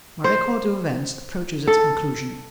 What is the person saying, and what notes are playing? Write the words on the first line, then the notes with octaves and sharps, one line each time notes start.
MY record of events approaches its conclusion.
C5
A4